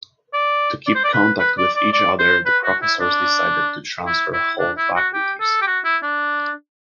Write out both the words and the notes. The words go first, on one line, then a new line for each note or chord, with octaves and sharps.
To keep contact with each other, the professors decided to transfer whole faculties.
D5
D5
C5
D5
B4
B4
D5
D5
D5
C5
B4
F#4
E4
D4
E4
E4
D4
E4
F#4
G4
A4
G4
F#4
E4
D4